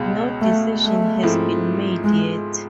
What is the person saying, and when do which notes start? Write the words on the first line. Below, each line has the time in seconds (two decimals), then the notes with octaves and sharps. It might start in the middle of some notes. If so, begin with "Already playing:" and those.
No decision has been made yet.
Already playing: C#2 B2 G#3
0.41 A3
0.82 A3
1.23 G#2 F3 A3 C4 E4
2.04 G#3